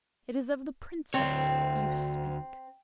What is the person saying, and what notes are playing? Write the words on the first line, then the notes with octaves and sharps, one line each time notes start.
"It is of the princess you speak."
D2 C4 C#5